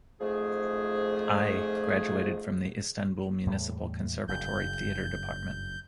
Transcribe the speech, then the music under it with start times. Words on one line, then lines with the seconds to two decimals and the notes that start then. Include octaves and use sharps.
Ay graduated from the Istanbul Municipal Conservatory Theater Department.
0.21 F2 G#2 F3 A3 G#4
3.46 E2 A2 G3
4.28 F#1 G2 C#3 G6